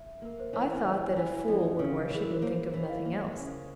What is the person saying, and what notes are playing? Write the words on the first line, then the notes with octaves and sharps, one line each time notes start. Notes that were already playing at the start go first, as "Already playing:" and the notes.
I thought that a fool would worship, and think of nothing else.
Already playing: E5
A#3 A#4
C5
E3 C#5
E3
E3
F2
C#3
E3 G#4
A#4
C5
A#3 C#5
E3
F5
A#3
C#3